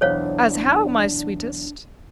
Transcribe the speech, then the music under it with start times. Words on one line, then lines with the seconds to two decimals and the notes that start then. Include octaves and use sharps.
"As how, my sweetest?"
0.01 B1 E2 D4 C5 C#5 F5